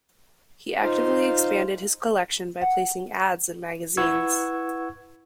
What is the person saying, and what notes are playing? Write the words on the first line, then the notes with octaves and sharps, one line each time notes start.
He actively expanded his collection by placing ads in magazines.
D#4 F4 C5 F5
F#5
E4 B4 F#5 C#6 E6 G#6